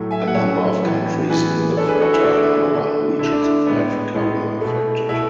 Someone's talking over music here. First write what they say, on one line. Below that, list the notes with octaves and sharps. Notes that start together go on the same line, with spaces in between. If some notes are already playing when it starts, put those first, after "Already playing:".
A number of countries in the fertile northern regions of Africa were affected.
Already playing: A2 F#3 A3
E5 G#5
F#5
A2 F#3 A3 C#5 E5
A2 E3 B3
A2 E3 B3 G#4 B4
D3 A3 A4 C#5
G#4 B4
F#4 A4
E4 G#4
D3 A3 D4 F#4
D3 A3
D3 A3 E4
D4
E4
A2 G#3 B3
A2 G#3 B3
B2 A3
B2 A3 E4